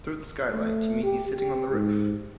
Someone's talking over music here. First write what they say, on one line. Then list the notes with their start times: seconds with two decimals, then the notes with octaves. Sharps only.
Through the skylight? You mean he's sitting on the roof?
0.52 A3
1.04 G4
1.39 G4
1.71 G#2